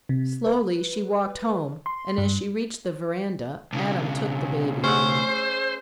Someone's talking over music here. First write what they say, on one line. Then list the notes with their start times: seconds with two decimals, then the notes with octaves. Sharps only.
Slowly she walked home and as she reached the veranda, Adam took the baby.
0.09 C3
0.46 B4
1.86 C6
2.18 G2
3.73 B1 C#3
4.84 A3 C#4 G#4 C5 F#5 E6